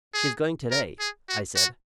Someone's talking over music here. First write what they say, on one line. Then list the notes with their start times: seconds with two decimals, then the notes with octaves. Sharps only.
"She's going to-day!" I said.
0.14 G#4
0.71 A#4
1.00 G#4
1.29 F#4
1.56 F#4